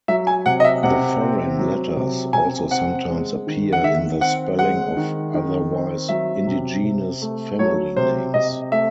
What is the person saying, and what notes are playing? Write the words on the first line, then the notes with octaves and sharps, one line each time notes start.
The "foreign" letters also sometimes appear in the spelling of otherwise-indigenous family names.
F#3 E5
G#5
C3 F#5
D#5
E5
C3 F#5
C4
F#3
C3
C3 G#5
C4 F#5
G#3
D#3
F#5
D#3 E5
C4 F#5
G#3 F#5
D#3
D#3
C4
F#3 E5
C3
C3
A3
F#3 C#5
C3 C5
C3 D#5
A3 E5